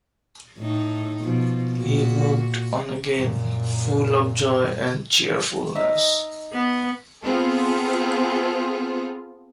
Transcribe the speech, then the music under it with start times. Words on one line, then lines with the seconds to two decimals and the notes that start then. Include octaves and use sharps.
He moved on again, full of joy and cheerfulness.
0.59 A2 D#4
1.24 B2 F3
1.76 A#2 F#4
3.15 F#2 A#2
5.75 D#4 D#5 E5
6.53 B3
7.24 B3 C4 F4 G#4 A4 C5